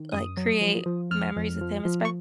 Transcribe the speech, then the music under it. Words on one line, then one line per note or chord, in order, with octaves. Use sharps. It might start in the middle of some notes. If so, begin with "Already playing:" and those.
like create memories with him, espe
Already playing: D#3
F#2 D#6
F#3
F3
F3
F2 F6
F2
F3
F3
C#6